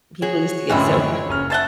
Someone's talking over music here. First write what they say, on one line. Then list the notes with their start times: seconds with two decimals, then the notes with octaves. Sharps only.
People used to get so frust
0.22 F#4 G#4 C#5
0.69 F#2 A2 D3 E3 F3 G3 G#3 E4
1.29 F#1 C#4 F6
1.50 C5 E5 F#5 A5 A6 G7